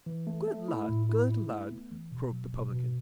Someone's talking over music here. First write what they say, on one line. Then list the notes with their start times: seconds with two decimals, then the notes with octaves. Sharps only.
"Good lad! good lad!" croaked the publican.
0.06 E3
0.27 A3
0.48 A3
0.68 E4
0.89 A2
1.09 E4
1.30 E4
1.50 A3
1.71 B3
1.91 E3
2.12 B2
2.32 F#3
2.53 B2
2.73 B2